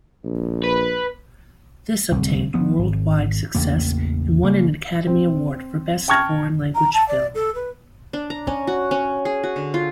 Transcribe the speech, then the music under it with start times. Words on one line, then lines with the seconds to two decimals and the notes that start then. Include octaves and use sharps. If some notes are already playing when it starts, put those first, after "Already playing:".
This obtained worldwide success and won an Academy Award for Best Foreign Language Film.
0.24 A#1
0.63 B4
2.12 D1 C2
2.54 F3 B3
2.79 G#1
3.55 A1 E2 C#3 A#3
4.43 C#3 A#3
5.07 C4
6.08 G5 A5 C#6 F6 G#6 A#6
6.75 A#5
6.94 A5
7.08 D5
7.35 A4
7.55 B4
8.13 D4
8.30 A#5
8.47 C#4
8.67 F#4
8.91 C#4
9.25 G#4
9.43 F#4
9.56 D3
9.74 F4